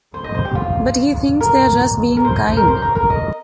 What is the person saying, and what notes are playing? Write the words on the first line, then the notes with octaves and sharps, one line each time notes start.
But he thinks they are just being kind.
C5
D#5
C5
G4
F4
A#4
A#4
C5
D#5
C5
A#4
C5
A#4
A#4
D#5